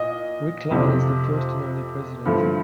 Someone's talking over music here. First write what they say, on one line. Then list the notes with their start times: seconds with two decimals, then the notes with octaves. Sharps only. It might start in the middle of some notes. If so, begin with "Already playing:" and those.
Wickline as the first and only president.
Already playing: A#2 D#5
0.71 F2 C3 F3 A3
2.25 G2 D3 F3 A3